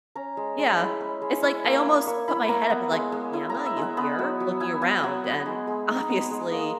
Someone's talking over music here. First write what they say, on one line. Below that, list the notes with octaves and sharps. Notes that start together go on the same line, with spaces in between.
Yeah. It's like I almost put my head up, and like, "Gamma, you hear?" looking around, and, obviously,
C#4 A#5
G#3
G#3
E4 B5
C#4
G#3
E4 C#6
A#3
E4
A#3 C#6
E4 B5
A#3 A#5
B3 F#5
G#3
G#3
E4
B3 A#5
E5
G#3 F#5
B3 B5
F#3
F#3
E4 G#5
B3 G#5
F#3 F#5 G#5
B3
G#3
G#3
D#4
B3
G#3
A#3 D#5